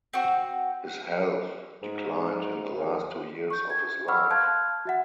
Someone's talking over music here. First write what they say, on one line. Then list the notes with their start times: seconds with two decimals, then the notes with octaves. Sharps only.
His health declined in the last two years of his life.
0.13 C4 F#4
1.82 G#2
2.75 D#2
3.50 C#6 G6
3.70 G#6
4.08 F#5 B5 C#6 D6 E6 F6
4.30 F5 A5 C6 F6 F#6 G#6
4.85 F#4 E5 F#5